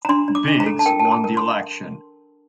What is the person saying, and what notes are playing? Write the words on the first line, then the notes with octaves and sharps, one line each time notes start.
Biggs won the election.
A#5
D4 C6
D4
D6
D4
A#5
A4
A5
A#4 G5
A5
A#4
A#5
A#4
C6